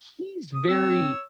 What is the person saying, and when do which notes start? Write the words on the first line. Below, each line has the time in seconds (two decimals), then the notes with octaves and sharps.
he's very
0.55 D#6
0.69 C4 C#5 E6